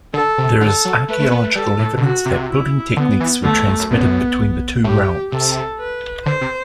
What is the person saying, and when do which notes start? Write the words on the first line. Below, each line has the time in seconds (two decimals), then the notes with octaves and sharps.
There is archaeological evidence that building techniques were transmitted between the two realms.
0.14 D3 A4
0.38 C3
0.61 D3 A4
0.85 F#3
1.08 A3 B4
1.19 A3
1.31 B3
1.44 A3
1.55 G3 A4
1.79 A2
1.97 B2
2.02 C3 F#4
2.25 C3
2.49 E4
2.96 D3 B3
3.20 E3
3.43 D3 A3
3.55 E2
3.67 F#2
3.79 F#2
3.90 F#2 B3
4.84 A2 G4
5.32 C3 A4
5.79 B4
6.25 D3 C5
6.41 C3